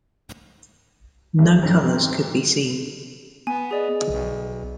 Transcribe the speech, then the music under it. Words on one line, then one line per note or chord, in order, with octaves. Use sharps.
No colors could be seen.
C2 G3 A3
F2 G#2 D3 F#3
C4
B3 G#5
G#4 D5 D#5
B1